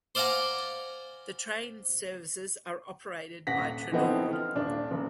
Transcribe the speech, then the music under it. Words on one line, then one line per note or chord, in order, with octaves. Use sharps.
The train services are operated by Trenord.
C5 D5 F5 F#5 G#5 A#5
D#1 F#5 A#6 B6
D3 E3 F3 B3 C4 D#4
F6
D#1 D4
F#1